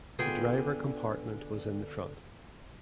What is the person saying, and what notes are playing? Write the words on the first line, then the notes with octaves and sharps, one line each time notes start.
The driver compartment was in the front.
D3 B3 F4 G#4 G5